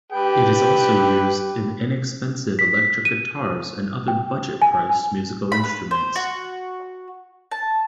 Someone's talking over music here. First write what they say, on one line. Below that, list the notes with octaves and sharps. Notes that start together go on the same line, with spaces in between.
It is also used in inexpensive electric guitars and other budget priced musical instruments.
G4 B4 G5
B6
D#7
G5
G#5
B5
B4
C5
F#4
A5